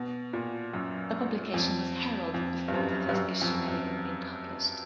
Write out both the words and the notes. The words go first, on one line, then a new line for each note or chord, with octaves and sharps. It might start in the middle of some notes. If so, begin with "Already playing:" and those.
The publication was heralded before the first issue had even been published.
Already playing: B2
A#2
F#2
F2
F2
G2
F#2
G2
F#2
F2
F#2